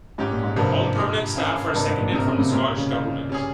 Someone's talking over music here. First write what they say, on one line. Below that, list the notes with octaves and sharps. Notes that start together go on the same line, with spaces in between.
All permanent staff are seconded from the Scottish Government.
G#2 G3 C#4 G4
A#2
G#2
G2 C3 F3 A#3
A#2 G#3 D#4 G4
D#3 A#3 C#4 F4 G#4
G2 C3 D#3 A#3
G#2
A#2
C3 G3 C4 D#4 A#4
C#3
C3
A#2 G#3 C#4 G4 A#4
C#3
D#3 A#3 F4
G3 C#4 G#4